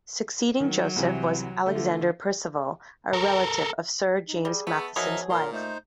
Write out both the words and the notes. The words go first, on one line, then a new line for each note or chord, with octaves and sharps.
Succeeding Joseph was Alexander Percival, a relative of Sir James Matheson's wife.
D#3 F#3
C2 C3 E3
D3 A3 F4
A4 A#4
D#4
G3 G#4
A3 B3
B2 F3 F#3 D#4 G#4 A#4 E5
A#2 A#4 C6
A3 D#4 C5